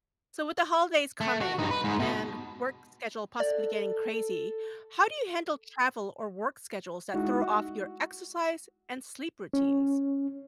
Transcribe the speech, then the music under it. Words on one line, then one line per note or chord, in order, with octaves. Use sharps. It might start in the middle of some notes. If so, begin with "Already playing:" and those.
So with the holidays coming and work schedule possibly getting crazy, how do you handle travel or work schedules that throw off your exercise and sleep routines?
A3
F#4
G2 D#4
B4
G#2
B2
A4 D5
G#3 D#4 E4 F#4
C#4